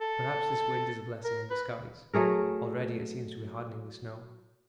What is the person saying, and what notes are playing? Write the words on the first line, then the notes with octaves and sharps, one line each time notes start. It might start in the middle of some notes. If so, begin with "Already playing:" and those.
Perhaps this wind is a blessing in disguise, already it seems to be hardening the snow.
A4
A#4
B4
F#3 A3 G#4 A#4